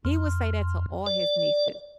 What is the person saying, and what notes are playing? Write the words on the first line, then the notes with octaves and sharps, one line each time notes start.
He would say that to all his nieces.
F2
D5